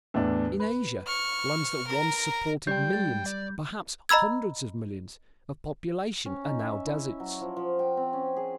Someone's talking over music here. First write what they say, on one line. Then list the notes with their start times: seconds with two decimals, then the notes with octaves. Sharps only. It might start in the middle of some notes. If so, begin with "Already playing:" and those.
In Asia, lands that once supported millions, perhaps hundreds of millions, of population are now deserts.
0.14 E2 A2 D4
0.60 B4
1.07 C#6 F6
1.88 A#4 A#5
2.67 G3 G4 C#5 D5 G5 G6 G#6
2.93 A6
3.26 D5
4.09 D#5 A#5 B5 E6 G#6
6.26 C#4
6.44 D#4
6.59 E5
6.87 E4
7.20 F#3
7.41 F3
7.57 F3
7.79 G5
7.97 C4
8.13 C#4
8.36 G#4